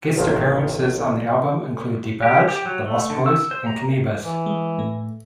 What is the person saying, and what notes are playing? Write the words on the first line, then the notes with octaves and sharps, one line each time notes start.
Guest appearances on the album included DeBarge, the Lost Boyz and Canibus.
A1 D#2 C3 D#3 G#3
G4
G4
F#3
A3
D3
E6
C5
A#5
E3
G#3
A2 A3